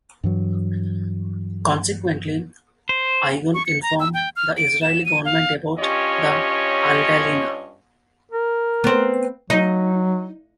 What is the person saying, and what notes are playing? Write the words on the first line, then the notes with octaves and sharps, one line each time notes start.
Consequently, Irgun informed the Israeli government about the "Altalena".
G2 E3 F#3
C5
C#6
C#7
A#5
E6
G5
F6
D7
E7
D#7
F5
G2 C#4 F4 G4 C#5 D#5
A#4
B3 C4
F#3 D#4